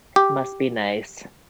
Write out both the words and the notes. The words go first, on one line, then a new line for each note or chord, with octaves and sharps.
must be nice.
G4